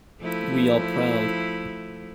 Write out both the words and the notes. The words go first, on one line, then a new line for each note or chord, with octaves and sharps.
We are proud.
F3 A3 E4